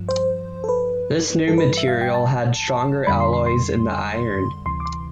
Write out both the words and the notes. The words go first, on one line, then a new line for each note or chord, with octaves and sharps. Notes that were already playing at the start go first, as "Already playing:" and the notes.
This new material had stronger alloys in the iron.
Already playing: G2 F3
C5
A4
B4
G2 E3 G3 A4
B4
E5
F5
G5
A5
F2 D3 G3 B5
C6
C6
C6
D2 C3 E3 C6
D6
C6